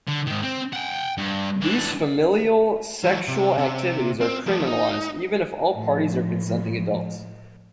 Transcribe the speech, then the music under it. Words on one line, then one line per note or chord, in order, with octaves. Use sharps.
These familial sexual activities are criminalised, even if all parties are consenting adults.
D3
G#2 D#3
C4
F#5 G5
G2
E3 D4
E3 F#3
C3
C3
C4
F3 A3
D#4
A2 F3